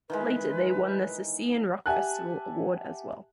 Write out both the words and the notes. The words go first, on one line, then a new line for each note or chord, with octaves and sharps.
Later they won the "Sisian Rock Festival" award as well.
D#3 E3 G#3 B4
G4 E5 F#5 G#5 A5 F#6